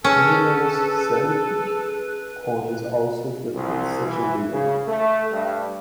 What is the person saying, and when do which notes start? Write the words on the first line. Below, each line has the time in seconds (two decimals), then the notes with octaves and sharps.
Numerous Celtic coins also depict such a wheel.
0.04 C#4 G#4 A4 B4
3.54 C2
4.06 E3
4.50 C#3
4.87 A3
5.31 G2